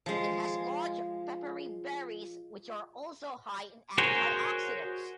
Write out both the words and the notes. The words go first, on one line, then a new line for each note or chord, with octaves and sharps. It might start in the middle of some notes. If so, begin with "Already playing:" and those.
It has large, peppery berries which are also high in antioxidants.
F3 G#3
F#4 G#4 A#4 C5 C#5